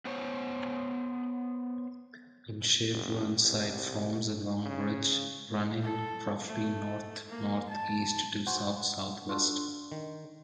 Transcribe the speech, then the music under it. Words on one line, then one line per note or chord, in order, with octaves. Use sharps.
In shape Whernside forms a long ridge, running roughly north-north-east to south-south-west.
B3 C5 C#5
F#1
C2
C#3
A4
A3
A#3
A5
F#4 C5 F#5 G#5
D4 F4 F#4 A4 C6
D#3